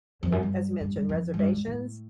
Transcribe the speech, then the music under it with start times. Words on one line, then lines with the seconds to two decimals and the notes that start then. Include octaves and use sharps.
uh, as you mentioned, reservations.
0.23 F2
0.32 F#2
0.43 G2
0.80 G2
0.96 G2
1.09 F2
1.34 G#2
1.39 G2
1.53 G#2
1.67 A2